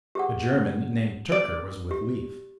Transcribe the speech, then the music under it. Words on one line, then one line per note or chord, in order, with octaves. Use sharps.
A German, named Tyrker, was with Leif.
G4 G#4 F#5
D5
G4